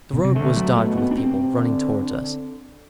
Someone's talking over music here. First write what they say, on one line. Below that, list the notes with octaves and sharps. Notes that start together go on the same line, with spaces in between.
The road was dotted with people running towards us.
B2
C3
D3 A3
F#3
B2 A3
B3
D4
C3 C4
D3
D3